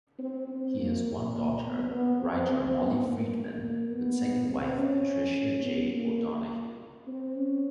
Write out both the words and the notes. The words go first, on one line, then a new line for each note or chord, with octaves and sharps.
He has one daughter-writer Molly Friedman-with second wife Patricia J. O'Donohue.
C4
C4
A#3
A#3
B3
B3
C4
C4
B3
A#3
A#3
B3
C4
C#4
B3
A#3
C4
C#4